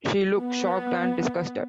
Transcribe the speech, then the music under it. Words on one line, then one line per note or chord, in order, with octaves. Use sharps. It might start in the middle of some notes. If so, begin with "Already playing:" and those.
She looks shocked and disgusted.
B3